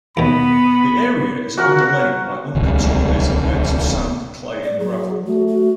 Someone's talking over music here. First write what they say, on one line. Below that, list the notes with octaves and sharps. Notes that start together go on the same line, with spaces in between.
The area is underlain by unconsolidated beds of sand, clay and gravel.
D#2 B2 B3 B5
F#4 A#4 F#5
D1 C2
D5
F#3 G#4
A3 F#4
F#4